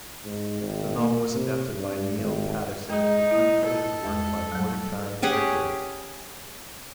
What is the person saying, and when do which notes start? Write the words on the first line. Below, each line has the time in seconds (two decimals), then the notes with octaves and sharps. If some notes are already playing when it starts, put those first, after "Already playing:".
The novel was adapted by Neil Paterson with uncredited work by Mordecai Richler.
0.25 G#2
0.62 G#1
0.97 A#3
1.34 C3
1.77 G2
2.18 G#1
2.90 G#3 D#4 G#4
3.31 A#3 E4
3.64 A4
4.05 E2 G#3
4.52 F#3 G3
5.22 C#4 G4 G#4 F#5